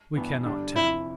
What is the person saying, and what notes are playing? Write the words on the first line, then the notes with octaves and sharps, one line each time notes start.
We cannot tell.
G2 E3 B3
G2 D3 G3 D4 G4
F2 C3 F3 E4